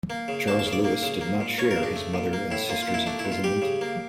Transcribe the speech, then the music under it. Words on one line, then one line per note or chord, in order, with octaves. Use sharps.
Charles Louis did not share his mother and sister's imprisonment.
A#3
C#3
A#3 A5
A5
C#3
D5
A#3
C#3
A#3
A#2
A#3 C#5
A#4
C#3
D4
A3
A#2
A#3
A2 E4
A#3 F4
F4
A#2
E4
A3 D4
E4
A#2
F4
G3 G4
C#3
A#3